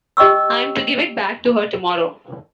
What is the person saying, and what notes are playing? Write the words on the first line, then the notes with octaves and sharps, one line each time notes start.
I’m to give it back to her tomorrow.
G4 D#5 G5 C#6 E6